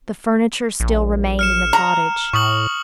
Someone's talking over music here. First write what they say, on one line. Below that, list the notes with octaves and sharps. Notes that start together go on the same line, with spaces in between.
The furniture still remained in the cottage.
A#1
F6 C#7 E7
A#5
A2 C#6 D#6 F#7